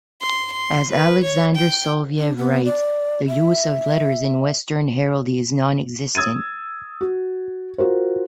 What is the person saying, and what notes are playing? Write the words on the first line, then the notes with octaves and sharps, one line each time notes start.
As Alexander Soloviev writes, the use of letters in western heraldry is nonexistent.
C6
C6
B4
C#5
G5
D4
B3
D5
E5
D#6 E6 G#6 A6 D#7
F#4
F4 F#4 A#4 C5